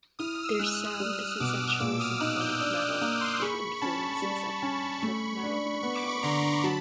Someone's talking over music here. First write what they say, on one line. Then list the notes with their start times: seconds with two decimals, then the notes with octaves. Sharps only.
Their sound is essentially symphonic metal with influences of folk metal and power metal.
0.19 E4 D#6 F6
0.43 E6
0.51 F6
0.59 G#3 E6 F#6
0.99 G3 D#6 F6
1.40 B2 D6 E6
1.80 A#2 D6 E6
2.00 D#6 F6
2.20 D#4 E6 F#6
2.41 F6 G6
2.60 D4 E6 F#6
2.80 E6 F#6
3.01 A#3 D#6 F6
3.21 C6 D6
3.42 G#4 B5 C#6
3.82 C#4 A5 B5
4.22 G3 B5 C#6
4.62 C#4
5.02 A3
5.43 D4
5.83 B3 C#6
5.95 D6
6.08 B5 C#6
6.23 D3 A#5 C6
6.64 F#3 A5 B5